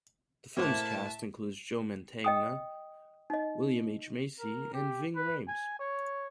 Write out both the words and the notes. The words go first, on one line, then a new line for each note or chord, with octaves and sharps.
The film's cast includes Joe Mantegna, William H. Macy, and Ving Rhames.
A2 A#3 E4 C5 E5 F#5 A5
D#5 G5 D#6
D#4 D#5
A#4
G4
B4
G#5
C#5